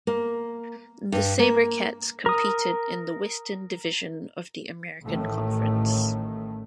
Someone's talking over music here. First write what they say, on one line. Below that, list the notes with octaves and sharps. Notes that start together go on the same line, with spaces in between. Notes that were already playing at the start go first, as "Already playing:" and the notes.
The SaberCats competed in the Western Division of the American Conference.
A#3
G2
A#3
A#4 D#6
A1 A2 D#3 A3